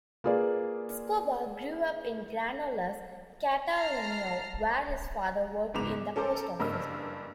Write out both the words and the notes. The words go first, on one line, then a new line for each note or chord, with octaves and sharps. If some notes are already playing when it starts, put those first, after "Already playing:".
Escobar grew up in Granollers, Catalonia, where his father worked in the post office.
A#3 F4 G#4 B4 D5
A5 A#5 F6 C7
F#1 G#2 B3 D6 E7 F7
G#3
C#4 A4 A#4 C5 D6
F#1 G2 A#3 D#5 E6 F6